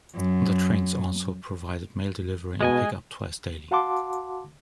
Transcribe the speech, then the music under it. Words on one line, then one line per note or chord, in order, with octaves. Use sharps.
The trains also provided mail delivery and pick-up twice daily.
F#2
B2 G#3 D#5 G#5
F#4 F5 F#5 A5 C6 D6